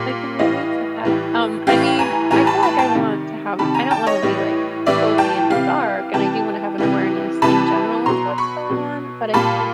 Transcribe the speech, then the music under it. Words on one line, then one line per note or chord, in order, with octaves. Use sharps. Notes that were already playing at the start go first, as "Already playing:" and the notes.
I can relate to that, um, I mean, I feel like I want to have I don't wanna be, like, totally in the dark, and I do wanna have an awareness in general of what's going on, but I think
Already playing: A#2 G3
A2 E3 G3 D#5 F5
A2 E3 G3
A2 E3 G3 F5 G5
G#5 A#5
A2 E3 G3 G#5 A#5
A5 B5
A5 B5
G5 A5
C3 D#3 G3
C3 D#3 G3 A5 B5
G#5 A#5
G5 A5
C#5 D#5
A2 E3 G3
A2 E3 G3 D5 E5
G5 A5
C3 E3 G3 F5 G5
C3 E3 G3 G5 A5
C3 E3 G3
C3 E3 G3 A5 B5
B2 F#3 A#5 C6
B5 C#6
B2 F#3
A#2 G3 A5 B5